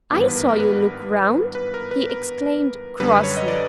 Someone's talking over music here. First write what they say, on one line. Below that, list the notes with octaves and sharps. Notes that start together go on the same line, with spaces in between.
'I saw you look round!' he exclaimed crossly.
G#1 G2 E3 G3 B3
B4
A#4
A#4
B4
B4
A#4
B4
A#4
F#2 D3 G3 B4
C#5
D#5
D5